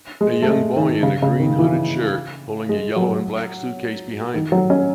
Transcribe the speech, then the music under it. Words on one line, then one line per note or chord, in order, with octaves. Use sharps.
A young boy in a green hooded shirt pulling a yellow and black suitcase behind him.
G#3
A3
G#3
D#3
C#3
C#3
D#3
E3
G#3
F#3
D#3
F#3
C#4